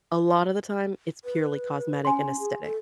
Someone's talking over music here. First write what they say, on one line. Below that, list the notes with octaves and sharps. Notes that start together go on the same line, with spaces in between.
a lotta the time it's purely cosmetic and aesthetic.
B4
C#4 G#5 C6
G#4
A4